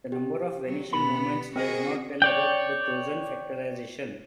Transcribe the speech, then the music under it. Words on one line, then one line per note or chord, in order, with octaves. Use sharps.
The number of vanishing moments does not tell about the chosen factorization.
G4
F#3
B2 B3 B5
C4 F#4 G#4 A#4 D#5
C#5 D5 G5